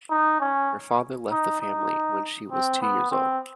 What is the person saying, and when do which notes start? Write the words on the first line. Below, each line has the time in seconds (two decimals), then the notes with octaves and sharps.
Her father left the family when she was two years old.
0.10 D#4
0.40 C#4
1.31 D#4
1.61 D#4
2.52 C4
2.82 B3
3.11 C4